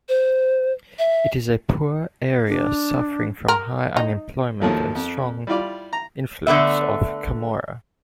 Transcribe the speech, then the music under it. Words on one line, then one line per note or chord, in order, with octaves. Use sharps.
It is a poor area, suffering from high unemployment and strong influence of Camorra.
C5
E5
D4
A#4
D#4
D#2 F3 F#3 A3
F2
G3 E4 F4 D5
A#5
D3 A3 B3 E5